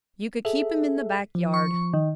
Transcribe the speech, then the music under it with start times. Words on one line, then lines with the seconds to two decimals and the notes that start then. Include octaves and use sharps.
You could keep him in the back yard.
0.45 G#4 A4 E5
1.35 F3
1.54 C#6
1.94 D#3